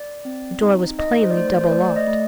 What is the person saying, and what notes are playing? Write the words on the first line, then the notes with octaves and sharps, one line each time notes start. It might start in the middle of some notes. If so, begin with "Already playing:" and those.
The door was plainly double-locked.
Already playing: D5
C4
D#4
D#4 D#5
C5
D5
A3 C5
C5
C5
A3 D5
D5
D#5
A3